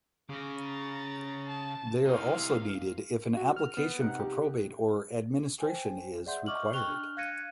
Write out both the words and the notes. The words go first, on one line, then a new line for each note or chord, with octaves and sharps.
They are also needed if an application for probate or administration is required.
C#3 D6 A#6
A#5 A6
A5
C3 D#4 E4 F5
F#4
F6
B3
C3 D#4 F#5
G4
C5 G5 G#5
G#4 D5 E5 F#5 C6 G6
D#5 C#6 D6 F6 F#7
G5 C#6 F6 F#6 F7 G7
D4 F6
F5 F#6 G#6 A#6 C#7 D#7